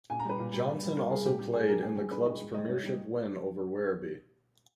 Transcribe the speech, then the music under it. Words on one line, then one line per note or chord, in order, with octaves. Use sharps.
Johnson also played in the club's premiership win over Werribee.
A#2 G#5
A#5
G3 B4
A#2
G3
G2
G3
G2 A#4
G3 G#4
A#2 G4
G3 G4
A#2 G#4
G3 A#4
G2 G#4
D#3 G3 G#4
G2 B4
D#3 G3 D#5
G#2
D#3 G3 D#5
G#2 C#5
D#3 G3